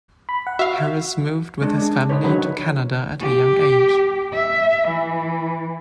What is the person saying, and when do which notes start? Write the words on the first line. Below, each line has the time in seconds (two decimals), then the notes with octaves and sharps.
Harris moved with his family to Canada at a young age.
0.29 B5
0.47 F#5
0.59 F#4 E5 F5
1.62 G#3 D4
1.78 D4 G#4
2.09 C#3 C#4 D#4 B4 C#5
2.24 D3 D#3 F#3 B4 C#5
3.21 G4
4.33 E5
4.88 E3